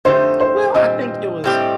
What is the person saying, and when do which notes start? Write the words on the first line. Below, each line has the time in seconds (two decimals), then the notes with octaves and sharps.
Well, I think it was
0.05 F2 D3 A3 D#4 G4 C5
0.40 C5
0.74 A#2 G3 C4 D#5
1.44 A2 G3 C4 G4